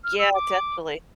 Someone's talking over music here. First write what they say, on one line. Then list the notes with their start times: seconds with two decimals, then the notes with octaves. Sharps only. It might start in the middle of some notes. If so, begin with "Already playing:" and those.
Yeah. Definitely.
0.04 F6
0.19 E6
0.34 D6